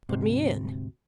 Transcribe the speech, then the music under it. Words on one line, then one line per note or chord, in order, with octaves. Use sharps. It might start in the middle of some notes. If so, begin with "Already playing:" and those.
"Put me in."
D2 G#2 C3